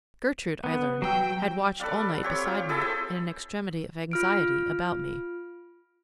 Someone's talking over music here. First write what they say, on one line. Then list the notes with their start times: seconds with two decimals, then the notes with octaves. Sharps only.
Gertrude, I learned, had watched all night beside me, in an extremity of anxiety about me.
0.64 B3
1.02 F#3 G5 E6
1.80 A4 B4 D5 F5
1.93 G3
2.23 C4 G4 C#5
2.45 F4 G4
2.69 E4 G#4 A4 E5
2.81 C5 E5
4.11 F4 F6 D7